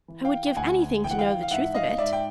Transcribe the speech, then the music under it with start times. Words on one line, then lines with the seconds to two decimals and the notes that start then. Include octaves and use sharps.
I would give anything to know the truth of it.
0.08 E3
0.25 F5 G5
0.47 G5
0.56 D2 F#5 G#5
1.04 E3 G5
1.11 F#5
1.19 F5 G5
1.43 F5
1.51 G#2 E5 F#5
1.74 D#5 F5
1.98 G#2 D5 E5
2.13 G5